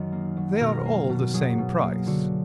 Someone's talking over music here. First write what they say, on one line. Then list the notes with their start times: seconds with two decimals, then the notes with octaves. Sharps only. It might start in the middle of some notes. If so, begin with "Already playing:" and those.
"They are all the same price."
Already playing: F#2 D#3 F#3 D#5
0.12 A#3
0.37 F#3
0.60 B2 A#4
0.86 A#3
1.09 B2
1.34 F#3 G#4
1.58 B2
1.82 A#3
2.06 D3 F#4